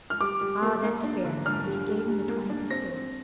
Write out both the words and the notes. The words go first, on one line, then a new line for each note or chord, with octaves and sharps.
"Ah! that's fair," and he gave him the twenty pistoles.
F6
G3 D6
G3
A#3
A#3
D4
D3
D4 F6
G3
G3
G3
A#3
D4
C4 A#6
C4